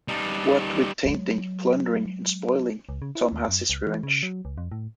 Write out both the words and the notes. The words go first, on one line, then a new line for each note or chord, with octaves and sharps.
What with tainting, plundering, and spoiling, Tom has his revenge.
G3 D#4
F#3 G#3
C#2
C#3
E4
D#2
F#2
C#2
E3
C#3
F#3
C#2
F2
A2